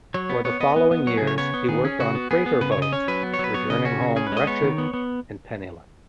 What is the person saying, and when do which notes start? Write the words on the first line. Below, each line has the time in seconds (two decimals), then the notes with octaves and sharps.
For the following years he worked on freighter boats, returning home wretched and penniless.
0.14 F#3 C#5
0.30 B3
0.45 B3 C#5
0.60 B3 D#5
0.76 B3
0.91 B3
1.07 F#3 C#5
1.17 G#4
1.22 C#3
1.27 C#5
1.38 B3 C#5
1.54 B3
1.69 D#3 G#4
1.85 C#4
2.00 C#3 F#4
2.15 B3
2.31 B3 G#4
2.46 B3
2.61 C#3 B4
2.72 C#5
2.77 C#3
2.82 D#5
2.93 C#4 C#5
3.08 F#3 B4
3.23 B3
3.34 C#5
3.39 F#3 B4
3.54 B3 C#5
3.70 C#3 D#5
3.85 C#4 F#4
4.01 C#3
4.16 C#4 G#4
4.27 B4
4.32 G#3 D#5
4.47 B3 C#5
4.63 D#3
4.78 B3
4.94 B3